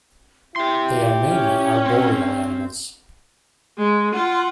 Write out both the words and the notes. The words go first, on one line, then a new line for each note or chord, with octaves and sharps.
They are mainly arboreal animals.
E4 G4 G5 C6
C#4
C4
G#3
F4 F#5